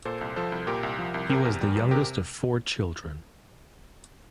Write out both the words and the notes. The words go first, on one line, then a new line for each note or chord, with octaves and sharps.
He was the youngest of four children.
A#2 A4 C5
C2
F3 A4 C5
C2
A#2 G4 A#4
C2
F3
C2
C3 G4 A#4
E2
G3
E2
C3 G4 A#4